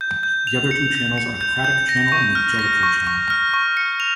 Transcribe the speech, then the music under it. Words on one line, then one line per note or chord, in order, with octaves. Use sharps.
The other two channels are the Cradock Channel and the Jellicoe Channel.
G6
G6
F7
C#7
G6
C#7
G6
G6
A#6
C#6
F6
A#6
C#6
C#6
F6
C#6
C#7
F7